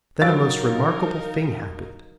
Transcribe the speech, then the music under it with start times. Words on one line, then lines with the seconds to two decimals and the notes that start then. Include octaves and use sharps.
Then a most remarkable thing happened.
0.22 F#3 D#4 A#4 F5 A6